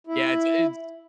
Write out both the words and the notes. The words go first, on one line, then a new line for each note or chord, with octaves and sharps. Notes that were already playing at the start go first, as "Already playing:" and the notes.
Yeah, it's it's
E4